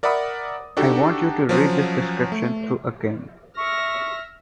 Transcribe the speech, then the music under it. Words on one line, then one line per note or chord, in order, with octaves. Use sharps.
I want you to read this description through again.
A#4 D5 E5 F#5 B5 D#6
D4 D#4 F#4 G4 A4
F3 F#3 C#4
A3
E5 C#6 F6 A#6